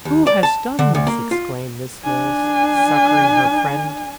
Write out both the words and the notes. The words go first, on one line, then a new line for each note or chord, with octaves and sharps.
'Who has done this?' exclaimed Miss Mills, succouring her friend.
D#2
D5
A5
D3
D2
A#3
F4
D4 G#5